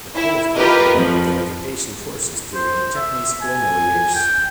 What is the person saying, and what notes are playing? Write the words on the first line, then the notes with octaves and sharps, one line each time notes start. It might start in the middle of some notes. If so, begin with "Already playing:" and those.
The poet collaborated with the occupation forces during Japanese colonial years.
E4
F4 G4 A#4 B4 D#5
F2 F3
C5
E5
G#5
G5